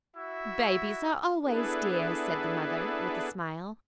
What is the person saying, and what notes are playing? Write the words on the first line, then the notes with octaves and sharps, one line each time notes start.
"Babies are always dear," said the mother, with a smile.
E4 F#4 E5
B3 D4 E4 G#4 A4 B4